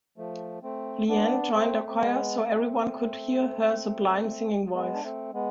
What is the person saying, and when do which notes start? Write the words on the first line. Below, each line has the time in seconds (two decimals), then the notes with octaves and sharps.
Leanne joined a choir so everyone could hear her sublime singing voice.
0.18 F3 A3
0.63 A3 C4
1.09 B3 D4
1.54 A3 C4
1.89 C4
1.99 G#3 B3
2.46 A3 C4
4.73 G#3 B3
4.94 D4
5.04 A3 C4
5.34 G#3 B3